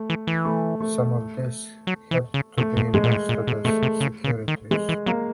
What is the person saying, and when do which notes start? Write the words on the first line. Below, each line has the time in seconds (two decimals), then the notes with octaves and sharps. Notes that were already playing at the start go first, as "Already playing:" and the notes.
Some of this had to be invested as securities.
Already playing: A3
0.10 E3
0.27 E3
0.45 A3
0.80 A3
1.87 F#3
2.11 E3
2.34 C#3
2.58 C3 A3
2.76 G#2
2.93 G2 G#3
3.04 A#2
3.11 A2
3.29 A#2
3.47 B2
3.65 B2 A3
3.83 C3
4.01 C#3
4.24 C#3
4.48 D#3
4.71 E3 G#3
4.89 E3
5.06 F#3 A#3